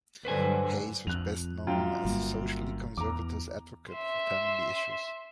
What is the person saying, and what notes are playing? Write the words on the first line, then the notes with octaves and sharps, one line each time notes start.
Hayes was best known as a socially conservative advocate for family issues.
G2 D3 F#3 B4 C5 G#5
F2 F#6 F7
F#2 F4 G5
G1 G3 A#3
E2 A#5 D6
E5 C6